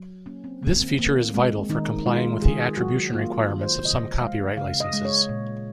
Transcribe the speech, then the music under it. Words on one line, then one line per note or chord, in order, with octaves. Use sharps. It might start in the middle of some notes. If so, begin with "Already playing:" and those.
This feature is vital for complying with the attribution requirements of some copyright licenses.
Already playing: F#3
A#3 C#4
C4
D#3 A#3
C4
D#3 A#3
G#3 C4
D#3 D#4
G#3 F4
D#3 G#4
F#3 F#4
A#3 F4
D#3
C5
C#3 D#5
G#3 F5
C#3 F5
D#5
G#3
C#5
A#2